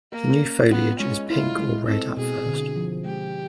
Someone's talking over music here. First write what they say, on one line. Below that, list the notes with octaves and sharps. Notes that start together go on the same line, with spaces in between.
The new foliage is pink or red at first.
A#3 A#4
C#4
B3 F4
G#3 C#4
E4 F4
G#3
C4 A4
B2 G#4
D3
F3
G#3 G4